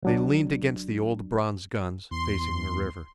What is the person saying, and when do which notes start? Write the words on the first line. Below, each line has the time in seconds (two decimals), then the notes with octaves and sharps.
They leaned against the old bronze guns, facing the river.
0.03 C#2 F#3 D4
2.11 E2 C6